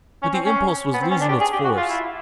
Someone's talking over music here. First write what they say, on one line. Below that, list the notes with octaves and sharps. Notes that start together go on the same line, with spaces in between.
"But the impulse was losing its force."
C#4
C4
C#4
B3
C4
C#4
D4
G4
G#4
G4
F#4
F4
E4